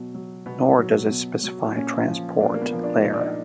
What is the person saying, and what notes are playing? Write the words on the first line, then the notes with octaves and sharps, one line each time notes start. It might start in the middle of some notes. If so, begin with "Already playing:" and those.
Nor does it specify a transport layer.
Already playing: B2 F#3
F#3
B2 B3
F#3
B2
F#3
A#2 C#4
F3
A#2 D4
A#3
B3
F3
D4
A#2 D#4
D4
D#4